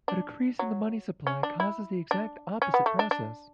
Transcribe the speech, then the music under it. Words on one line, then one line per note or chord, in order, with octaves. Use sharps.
A decrease in the money supply causes the exact opposite process.
D4
F#3
C#4
D4
E4
D4
C#4
B3
A3
D4
D4